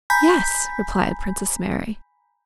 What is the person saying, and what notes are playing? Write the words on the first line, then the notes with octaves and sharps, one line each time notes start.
"Yes," replied Princess Mary.
G#5 A#5 B5 G6 B6